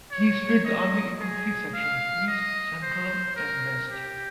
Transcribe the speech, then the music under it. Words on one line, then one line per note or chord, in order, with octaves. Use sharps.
He split the army into three sections - East, Central and West.
C#5
D#5
G#4
F5
D#5
C5
A#4
G4